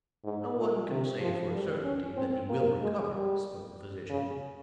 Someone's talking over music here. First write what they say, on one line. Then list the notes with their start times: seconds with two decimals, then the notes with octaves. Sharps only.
"No one can say for a certainty that he will recover," spoke the physician.
0.24 G#2
0.57 A#2
0.89 C3
1.20 F3
1.52 G3
1.85 C#4
2.17 C4
2.49 A#3
2.81 G#3
3.14 G3
4.09 C#3